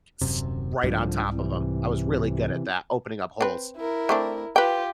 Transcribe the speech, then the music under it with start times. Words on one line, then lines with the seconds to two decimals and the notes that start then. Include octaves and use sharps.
s right on top of him, I was really good at that, opening up holes.
0.21 D#1 F#2 C3
0.83 C2 G#2 D3 F3 G3
1.33 C3 E3
3.41 C4 B4
3.77 E4 A#4
4.09 A3 C4 D4
4.56 F4 G4 B4 G5